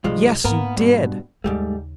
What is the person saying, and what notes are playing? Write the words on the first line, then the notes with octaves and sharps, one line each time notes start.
"Yes, you did."
B1 G2 F3 G#3
G#2 A#3 B3 A#4
G2 B2
D#2 G#2 C#3 G3 A3